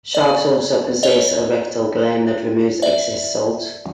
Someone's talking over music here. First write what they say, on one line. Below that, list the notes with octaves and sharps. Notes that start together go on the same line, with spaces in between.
Sharks also possess a rectal gland that removes excess salt.
D5
C#5 D#5
D5 E5